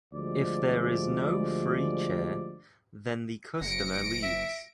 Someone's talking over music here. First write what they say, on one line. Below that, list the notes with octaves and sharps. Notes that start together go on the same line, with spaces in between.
If there is no free chair, then the customer leaves.
D2 F3 G3 G#3 D5
F#1 A#6 C#7 D7
E5